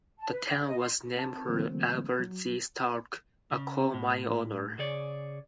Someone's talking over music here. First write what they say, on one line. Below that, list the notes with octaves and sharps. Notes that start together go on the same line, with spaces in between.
The town was named for Albert G. Stark, a coal mine owner.
A5
B4
G4
D#5
C6
C4 A5
D3 E3 F#3 A3 A#3 C4
F#3
C#3
A2
C#3 G#4 C#5 D5